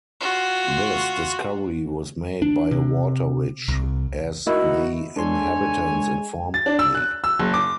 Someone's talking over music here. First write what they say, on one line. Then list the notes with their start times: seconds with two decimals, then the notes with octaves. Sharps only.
This discovery was made by a water-witch, as the inhabitants informed me.
0.21 F4 F#4
2.42 D4
2.71 C3
3.68 C2
4.47 D#4 E4 F#4 A#4 D#5 B5
5.16 G#3 D4 A4 C#5 G#5 C6
6.54 A6
6.66 D4
6.79 E6
6.95 F#6
7.24 E6
7.39 F#1
7.54 D6